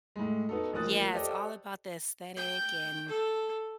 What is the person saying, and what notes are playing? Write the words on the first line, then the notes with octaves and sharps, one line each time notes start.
Yeah, it's all about the aesthetic and,
A2 G#3
B3 D#4 F#4 A4
A1 F3 A#3 D#6 F#6 A6
G4 A4 C5 D5 D#5 G5
G5
A4